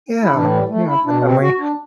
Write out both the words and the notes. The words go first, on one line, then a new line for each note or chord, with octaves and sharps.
Yeah, yeah, definitely.
E4
A2 E3 D4
G3
A3
E4
B2 D4
C4
F#4
D4